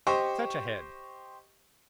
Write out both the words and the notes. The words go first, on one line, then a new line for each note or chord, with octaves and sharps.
Such a head!
G4 C5 D#5 C#6